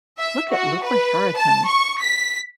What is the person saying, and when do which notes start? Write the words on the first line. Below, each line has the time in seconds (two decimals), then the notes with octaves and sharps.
Look at little Hareton!
0.19 E5
0.53 F#4
0.84 B4
1.37 A5
1.68 C#6
2.02 B6